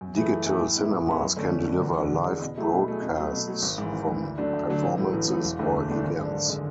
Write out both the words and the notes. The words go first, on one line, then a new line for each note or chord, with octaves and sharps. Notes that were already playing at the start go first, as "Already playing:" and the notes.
Digital cinemas can deliver live broadcasts from performances or events.
F#2
E3 A3 E4 G#4
F#2
E3 A3 E4 G#4
A2
G#3 B3 E4
A2
G#3 B3 E4
F#2
D3 A3 C#4
F#2
D3 A3 C#4
E2
D3 G#3
E2
D3 G#3
B2
F#3 A3 E4 G#4
B2
F#3 A3 E4 G#4
B2
F#3 A3
B2
F#3 A3
G#1
G#2 E3
G#1
G#2 E3
D2
D3 F#3 A3 D4
D2
D3 F#3 A3 D4
A1
A2 F#3 A3
A1
A2 F#3 A3
E1
D2 D3 A3 D4
E1
D2 D3 A3 D4
G#1
F#2 D3 G#3 D4
G#1
D3 G#3 D4